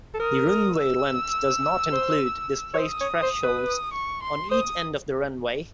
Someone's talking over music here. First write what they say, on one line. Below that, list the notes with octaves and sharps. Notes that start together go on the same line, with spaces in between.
The runway length does not include displaced thresholds on each end of the runway.
A4
A#4 D#6
D#6
E6
C5
C#5
C5 D#6
C#5
C5
B4
D#6
C#6
C6
C5 D#6